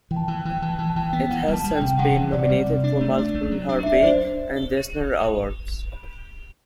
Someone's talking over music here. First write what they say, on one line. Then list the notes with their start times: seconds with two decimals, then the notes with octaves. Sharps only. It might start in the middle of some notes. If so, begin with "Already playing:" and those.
It has since been nominated for multiple Harvey and Eisner Awards.
0.11 E3 G5
0.16 A5
0.28 E3
0.39 G5
0.45 E3
0.62 E3 A5
0.79 E3
0.90 A5
0.96 E3 G5
1.13 B3
1.30 E3 F#5
1.47 G3
1.53 A5
1.64 G3
1.76 G5
1.81 C3
1.98 C3 F#5
2.15 E3
2.32 C3 D5
2.49 G3
2.66 C3
2.84 D4
3.01 A3
3.18 D4
3.35 A3
3.51 F#3
3.69 D4
3.83 D4 E5
3.93 D5
4.03 D4 C5